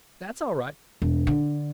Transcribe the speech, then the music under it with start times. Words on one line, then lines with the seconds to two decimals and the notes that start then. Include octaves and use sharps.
That's all right.
1.02 E1
1.27 D3